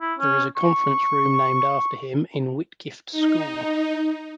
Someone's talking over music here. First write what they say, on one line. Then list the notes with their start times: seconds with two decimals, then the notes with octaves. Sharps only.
There is a conference room named after him in Whitgift School.
0.01 E4
0.19 C#4
0.57 C#6
3.12 D#4